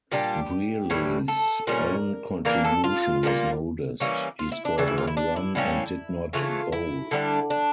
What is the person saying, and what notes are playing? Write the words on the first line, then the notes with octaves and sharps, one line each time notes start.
Brearley's own contribution was modest: he scored one run and did not bowl.
A#2 G3 D4 G4
A2 E3 G3
A4
A#2 G3 C#4 A#4
E3 A#3 D4 A#4
A4
F4
A#2 G3 A#3
E3 G3 A#3 C#4
F4
E4
D4
C#3 E3 G3 D4
E4
F4
E4
D4
E4
A2 G3 A#3 C#4 E4
C#3 E3 A3 F4
E4
D3 G3 D4
D4